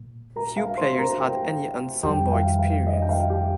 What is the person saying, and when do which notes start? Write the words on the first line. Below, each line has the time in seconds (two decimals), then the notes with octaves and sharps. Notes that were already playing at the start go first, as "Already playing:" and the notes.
Few players had any ensemble experience.
Already playing: A#2 A#3
0.36 A#4 A#5
0.57 F5
0.77 C5 C6
0.99 A#4 A#5
1.19 G4 G5
2.03 F2 D#3 G3 G4 G5
2.32 F5
2.59 F5
2.87 D#5
3.02 G5
3.09 F5
3.30 G4 G5